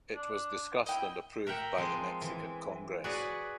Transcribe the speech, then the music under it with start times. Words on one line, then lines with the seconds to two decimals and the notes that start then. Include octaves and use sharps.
It was discussed and approved by the Mexican Congress.
0.15 D4
0.86 E4 D#5 G5
1.47 A#4 E5 F#5 G5
1.78 F3 G#3 C4
2.22 E3
3.04 F#4 G#4 B4 C#5 D5 F#5